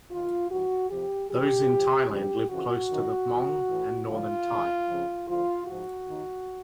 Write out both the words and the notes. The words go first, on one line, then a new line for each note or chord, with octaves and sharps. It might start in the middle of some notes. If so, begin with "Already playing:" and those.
Those in Thailand live close to the Hmong and northern Thai.
D#2 D#3 F4
G2 E3 F#4
F2 C3 F3 G4
G2 E3 G4
G#2 F3
F2 C#3 F3 G4
F2 C#3 E3 F#4
F#2 D#3
E2 B2
A2 E3
G2 D3 F3 F4
D#2 C#3 E3
F2 C#3 F3
D2 D3 F3 F4
G#2 F3 F#4
D#2 D#3